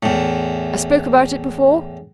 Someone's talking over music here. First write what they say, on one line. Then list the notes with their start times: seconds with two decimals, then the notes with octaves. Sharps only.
I spoke about it before.
0.03 E2 A2